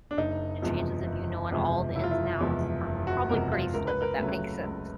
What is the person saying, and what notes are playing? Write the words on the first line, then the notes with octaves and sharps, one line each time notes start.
the chances of you knowing all the ins and outs are probably pretty slim if that makes sense.
D4
F#1 D#4
E2 C3 F3 G#3
F#1
E2 C3 F3 G#3
F#1 E4
F4
E4
E2 C3 F3 G#3
F#1
F#4
E2 C3 F3 G#3 A#4
F4
C#2 A#4
B4
A#4
C#3 F#3 A3
C#2